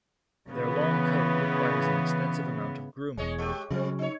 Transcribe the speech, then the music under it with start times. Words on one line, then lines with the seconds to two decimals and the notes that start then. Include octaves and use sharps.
Their long coat requires an extensive amount of grooming.
0.49 C#3 E3 B3
3.17 E1 E2 G#3 C#5 D#5
3.38 G#3 G4
3.70 C#3 F#3 G3 C4
3.99 D#4 C#5